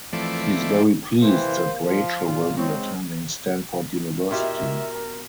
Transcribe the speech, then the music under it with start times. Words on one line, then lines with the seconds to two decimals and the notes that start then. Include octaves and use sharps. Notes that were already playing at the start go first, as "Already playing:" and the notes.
He is very pleased that Rachel will be attending Stanford University.
0.13 E3 F3 A3 C4 D5
1.22 C3 E3 A#3 B3 C5
1.83 F3 F4
2.26 F#2 A#2 F4 G#4
2.57 G#3 C4 D#4 C#5
4.31 B2 E4 F4 G4 A#4 E5